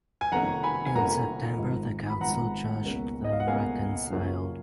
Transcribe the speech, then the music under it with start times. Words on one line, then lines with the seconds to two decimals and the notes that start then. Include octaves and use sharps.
In September the council judged them reconciled.
0.21 G#5
0.32 F1 F2 D#3 A#3 C#4 F#5 A#5
0.63 G#5 B5
0.86 G#5
0.95 F1 F2 D#3 A#3 C#4 F#5 A#5
1.58 G#1 G#2 F3
2.10 B5
2.21 G#1 G#2 F3 F#5 A#5
2.83 C#2 B2 A#3 C#4
3.24 D#5
3.32 F5
3.40 F#5
3.46 C#2 B2 A#3 C#4 F5 G#5
4.10 F#2 C#3 F3 A#3 C#4